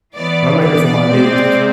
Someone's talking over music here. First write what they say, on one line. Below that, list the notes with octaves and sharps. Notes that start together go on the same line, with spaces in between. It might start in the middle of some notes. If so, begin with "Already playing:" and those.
and I made it for my niece,
E3 B3 D5
D5
C3 G#3 C4